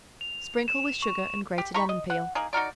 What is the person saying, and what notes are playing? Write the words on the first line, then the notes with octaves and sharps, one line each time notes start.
Sprinkle with sugar and grated lemon peel.
F7
E7
C#6
G4
D#4 A#5 B5 C#6
D#5
F#5
A#3 D#4 G#4
D#4 F#4 A#4 D5